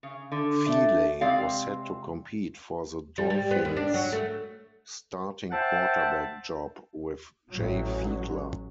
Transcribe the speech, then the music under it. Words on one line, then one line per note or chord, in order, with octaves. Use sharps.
Feeley was set to compete for the Dolphins' starting quarterback job with Jay Fiedler.
C#3
D3
A3 D4
C3 G#3 C4 D5 F5
G3
G3
B3
D#2
D4
F#3
A3
C5 E5 F#5 G5 A5
A1 F#3